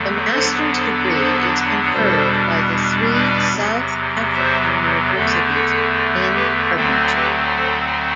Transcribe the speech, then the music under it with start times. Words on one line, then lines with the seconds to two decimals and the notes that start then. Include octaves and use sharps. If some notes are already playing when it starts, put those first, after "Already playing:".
The master's degree is conferred by the three South African universities in the partnership.
Already playing: E2 D3 F#3 A3
0.32 E2 D3 F#3 B3 D4 A4 C5
0.72 A4 C5
1.12 A4 C5
1.92 E2 B2 G3 D4 A4 C5
3.13 B4 D5
3.54 E2 C3 F#3
4.34 C5 E5
5.15 E2 D3 A3 A4
5.55 A4
6.35 G4 B4
6.76 D2 D3 F#3 A3 C4 A4
7.15 G4 B4
7.56 A4 C5